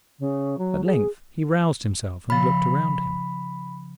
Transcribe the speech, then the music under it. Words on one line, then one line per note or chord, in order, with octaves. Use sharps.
At length he roused himself and looked around him.
C#3
F#3
G#4
C#3 F3 B5